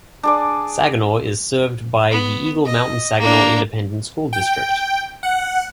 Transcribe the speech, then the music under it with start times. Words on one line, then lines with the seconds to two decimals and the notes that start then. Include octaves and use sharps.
Saginaw is served by the Eagle Mountain-Saginaw Independent School District.
0.23 D4 G#4 D5
2.11 B3
2.65 D#5
3.19 A#3 D4
4.33 G5
5.23 F#5